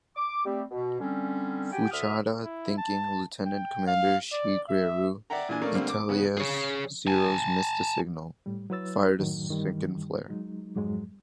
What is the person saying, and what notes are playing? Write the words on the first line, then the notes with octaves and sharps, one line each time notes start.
Fuchida thinking Lieutenant Commander Shigeru Itaya's Zero's, missed the signal, fired a second flare.
D6
G3 A3 C4 G4
B2
D3 G3 C4 C#4
F#4 G4 G5 G#5
D2 D3 E5 D#6 F6
E4
A5
G5
F5
D5
E5
D5 E5 F#5 G5 A#5
A#2 E3 D4 G#5
A3 A#3 C#4 A#4 D5
D3 G3 A3 A#3 C4
D6
C#3 B3
G#4 C#5
G#5 A5
A2 G3
F#3 E4 B4 C#5 E6 A6
F#2 A2 D#3 F#3
G2 D#3 E3 G3
F#3 G#3 D#4
F2 G#2 F#3 G#3